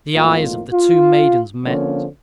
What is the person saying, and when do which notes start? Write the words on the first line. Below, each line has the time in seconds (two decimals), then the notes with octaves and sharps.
The eyes of the two maidens met.
0.15 G#1 F2 A2 A#3 F4
0.73 F4
1.66 D3 F3 A#3 C4 C#4